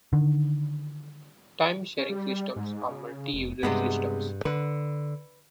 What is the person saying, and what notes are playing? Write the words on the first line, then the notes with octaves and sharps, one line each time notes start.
Time-sharing systems are multi-user systems.
D3 D#3
C#4
G3
G#2
C#3
F1
G2 C3 G#3 B3
D3 B4